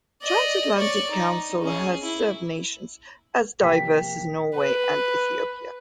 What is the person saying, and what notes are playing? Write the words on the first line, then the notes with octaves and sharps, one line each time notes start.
Transatlantic Council has served nations as diverse as Norway and Ethiopia.
D5 D#5
C#5 D5
D#4
C#4 G#4
E4
C3 F3 A#3 G5 B6
B4